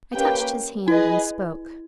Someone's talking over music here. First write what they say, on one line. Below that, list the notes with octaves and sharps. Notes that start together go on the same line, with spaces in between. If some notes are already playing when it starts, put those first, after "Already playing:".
I touched his hand, and spoke.
A#3 C#4 G4 B4 G5
E4 G#4 B4 D#5 G#5